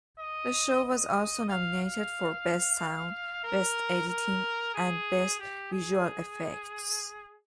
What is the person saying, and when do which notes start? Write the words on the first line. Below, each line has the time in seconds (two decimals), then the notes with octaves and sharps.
The show was also nominated for Best Sound, Best Editing, and Best Visual Effects.
0.19 D#5
0.84 D#5
1.49 F5
1.82 F5
3.44 A#4
4.09 A#4
4.74 G#4
5.40 G4
5.72 G#4